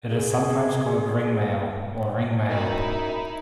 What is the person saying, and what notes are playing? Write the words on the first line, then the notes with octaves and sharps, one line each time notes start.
It is sometimes called ringmail or ring mail.
G#4
F#2 D#4 E4